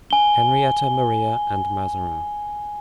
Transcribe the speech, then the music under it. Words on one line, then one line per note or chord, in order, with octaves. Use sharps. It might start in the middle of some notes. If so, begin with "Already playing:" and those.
Henrietta Maria and Mazarin.
G#5 G7